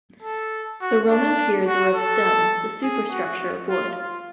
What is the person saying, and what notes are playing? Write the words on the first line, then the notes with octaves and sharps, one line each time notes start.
The Roman piers were of stone, the superstructure of wood.
A4
F#4
D4
F#4
A4
G#4
F#4
F4
F4